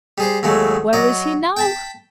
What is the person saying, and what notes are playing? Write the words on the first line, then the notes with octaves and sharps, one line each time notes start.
"Where is he now?"
G3 G#4 C5
D#2 F#3 G#3 A3
F#3 D5 D#5
G5 A5 B5